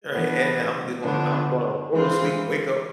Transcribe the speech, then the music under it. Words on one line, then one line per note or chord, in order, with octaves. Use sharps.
right? And and I'm just gonna, I'm gonna go to sleep, wake up,
E3 B3 D4
D3 F3 B3 D4
E3 G#3 C4 F4